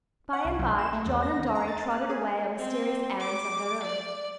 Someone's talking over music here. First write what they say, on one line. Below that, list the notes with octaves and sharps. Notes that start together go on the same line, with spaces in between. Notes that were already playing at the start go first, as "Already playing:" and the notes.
By and by John and Dorry trotted away on mysterious errands of their own.
F#5
C2
B1
E7
A3
E2
A#6
D#2
A#5
A6
F#6
G#4
C4
D6
D5